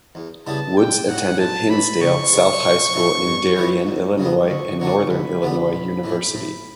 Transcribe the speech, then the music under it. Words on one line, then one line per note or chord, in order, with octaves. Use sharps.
Woods attended Hinsdale South High School in Darien, Illinois and Northern Illinois University.
E2
C#3 G3 B3 E4 A5
A1 G5
A2 F#3 F#5
A1 A5
A2 E3 B5
C#3 C#6
G3 B3 D4
B1
A2 E3 A3 C#4
G2
E3 G3 B3 E4
E2
C#3 F#3 B3
D2 C#6
D3 F#3 A3 D4 C#6
D2 B5
D3 G3 B3
B1
A2 E3
A2